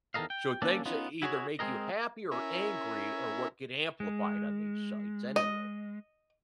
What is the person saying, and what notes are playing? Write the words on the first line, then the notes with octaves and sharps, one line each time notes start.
So things that either make you happy or angry are what get amplified on these sites anyway.
E2 D#3 A4 A#4 D#5 F5
G5
D3 A#3 C#4 D4 A4 D5
B3 C#4 D#4 F4
E4 F#4 G#4 C#5
G#3 C4 G#4 A#4 D#5
C#4 E4 A#4 E5 G#5
G#3
D#5